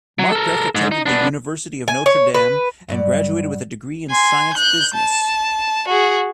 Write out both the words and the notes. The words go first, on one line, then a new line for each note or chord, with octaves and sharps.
Markgraf attended the University of Notre Dame and graduated with a degree in Science-Business.
F#3
A4 A#4
G#2
D#4
B3 D4
G#5
C#5
B4
G2 F#3 D5
G#5 C6
F#6 G6
A5
F#4 G#4